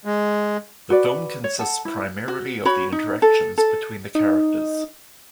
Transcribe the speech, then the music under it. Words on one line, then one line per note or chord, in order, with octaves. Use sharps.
The film consists primarily of the interactions between the characters.
G#3
F#4 B4 D5
C#5
A4 F#5 A5
E4
F#4
F#4 C#5 B5
D#4
A4
A4
D#4